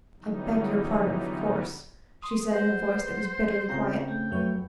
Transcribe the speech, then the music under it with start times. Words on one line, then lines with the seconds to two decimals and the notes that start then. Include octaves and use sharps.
"I beg your pardon, of course," she said in a voice that was bitterly quiet.
0.20 D3 E3 F#3 G3 B3 D#4
2.22 C6 D#6
2.52 B4 C5 F#5
3.69 C#3 C4 F4 A#5 G6
4.08 A3 G5
4.31 F2 F#3 A3 B4 C#5